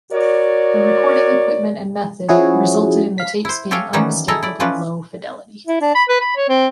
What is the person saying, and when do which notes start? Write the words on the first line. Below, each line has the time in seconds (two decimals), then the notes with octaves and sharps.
The recording equipment and method resulted in the tapes being unmistakably low fidelity.
0.12 F#4 A#4 C#5 D5
2.29 F3 C#4 E4 F#4 G#4 C#5
3.18 F5 B6
3.45 E4 C5
3.71 G4 A4 C#5 F5 G5 G#5
3.93 D#3 E3 F#3 G3 C#4 D#4
4.28 E4 G#4 A4 D#5 G#5 A#5
4.43 E4 D5
4.60 E3 F3 C#4 D#4 B4 D5
5.67 E4
5.81 D4
5.95 B5
6.09 B4
6.21 B5
6.36 C#5
6.49 C4